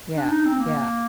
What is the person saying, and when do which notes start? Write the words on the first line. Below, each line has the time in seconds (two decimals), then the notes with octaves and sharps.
Yeah, yeah.
0.16 D4
0.31 D#4
0.45 C4
0.59 A#3